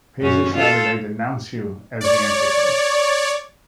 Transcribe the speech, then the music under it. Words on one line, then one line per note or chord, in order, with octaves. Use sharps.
Paisley shouted I denounce you as the Antichrist!
F#2 C#4
F4 A4
C#5 D5